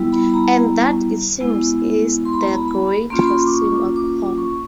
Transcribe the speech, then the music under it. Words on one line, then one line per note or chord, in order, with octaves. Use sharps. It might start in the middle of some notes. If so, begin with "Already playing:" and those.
And that, it seems, is the greatest sin of all.
Already playing: G3 B3 E4
B5
B5
A#5
G#3 B3 E4
C6
B5
A#5
B5
B5
A#3 C#4 F4 C6
B5
C6
D6
C#6
D6
C#6